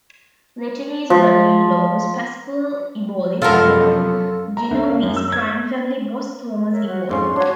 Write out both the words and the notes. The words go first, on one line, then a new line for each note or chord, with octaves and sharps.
Lettieri's brother-in-law was Pasquale Eboli, brother of Genovese crime family boss Thomas Eboli.
F3
F#2 C3 F3 B3 C#4 F4 A4 A#4
A#5
D2
A#3
F#2
E6
G#6
A#4 C#5 E5
F#4 C#5
F2 G#2 C#4 D5 F5 C6
D4 F#4 C#5